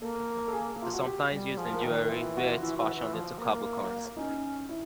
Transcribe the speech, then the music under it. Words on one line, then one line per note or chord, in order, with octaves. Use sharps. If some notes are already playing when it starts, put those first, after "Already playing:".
It is sometimes used in jewellery where it is fashioned into cabochons.
A#3 A4
A4
G#4
F4
F#4
G4
G3
F3 G#4
A#4
D#3
A#4
E3 F4
F#4
F4
E3 E4
E3
E3
F3
A#3
C#4 D#4
E4